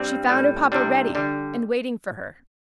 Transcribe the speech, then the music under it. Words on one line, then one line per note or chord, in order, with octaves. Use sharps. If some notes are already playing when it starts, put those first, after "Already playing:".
She found her papa ready, and waiting for her.
Already playing: G2 G3 C4
A2 G3
C2 C3 G3 D4
D3 G3